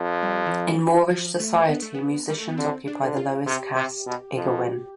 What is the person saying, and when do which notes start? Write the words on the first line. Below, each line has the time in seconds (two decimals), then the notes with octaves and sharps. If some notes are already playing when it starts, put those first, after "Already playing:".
In Moorish society musicians occupy the lowest caste, iggawin.
Already playing: F2
0.23 G3
0.46 E3
0.52 F3
0.74 F3
0.81 E3
1.11 F3
1.40 A3
1.69 B3
1.82 A3
1.95 B3
2.30 G3
2.39 A3
2.49 B3
2.58 D3 C4
2.88 D4
3.02 D3
3.17 F4
3.46 C3 G4
3.76 C3
4.06 B2
4.36 F2